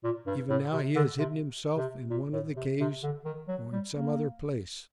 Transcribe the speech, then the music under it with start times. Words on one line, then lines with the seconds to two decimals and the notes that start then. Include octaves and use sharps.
Even now he has hidden himself in one of the caves or in some other place.
0.03 A#2
0.27 G2
0.49 A2
0.73 C3
0.95 D3
1.19 C3
1.77 C3
2.10 A#2
2.33 A2
2.56 C3
2.80 C3
3.03 D3
3.25 D#3
3.48 F#3
3.72 G3
3.95 A#3